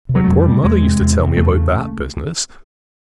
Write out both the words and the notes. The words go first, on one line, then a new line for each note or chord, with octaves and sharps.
My poor mother used to tell me about that business.
C3
F#3
A3
F2 G#3
G3
C3
E2 G#3
C3
E2
C3
E2 A3
C#3